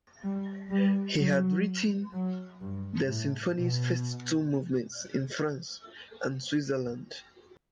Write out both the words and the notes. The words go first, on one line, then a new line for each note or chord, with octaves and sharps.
He had written the symphony's first two movements in France and Switzerland.
G3
G3
F#3
F#3
G2
A2
B2